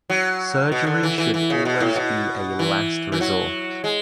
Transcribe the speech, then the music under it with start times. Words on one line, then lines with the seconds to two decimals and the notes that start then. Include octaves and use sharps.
Surgery should always be a last resort.
0.10 F#3
0.72 B2
0.87 D3
1.03 E3
1.18 E3
1.34 E3
1.50 C#3
1.65 B2
1.80 A2
1.96 B2
2.59 E3
3.12 E3
3.21 F#3
3.84 G#3